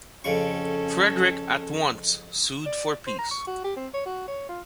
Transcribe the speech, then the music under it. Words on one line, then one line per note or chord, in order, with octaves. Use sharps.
Frederick at once sued for peace.
F2 C#3 C#4 A4 C#6
D5
C5
A#5
C#6
F#4
G4
C4
C#5
F#4
C#5
F4